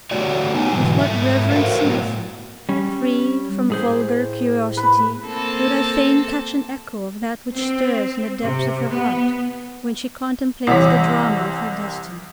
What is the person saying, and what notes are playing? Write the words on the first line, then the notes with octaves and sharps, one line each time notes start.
With what reverent sympathy, free from vulgar curiosity, would I fain catch an echo of that which stirs in the depths of her heart when she contemplates the drama of her destiny.
D3 A3 F#4 G4 C#5 D5
B3 D#4 G#5
G#2 B2 D3 E3 F#3 G3
G#2 E3 A3 E5
F#4 A4 A#4 C5 E5 F5
A2 F#3 B3
G3 C#4
A2 G#4 C5
B4
A#3 C4 A4
C4
C3
B3
C2 C3 E3 E4 B6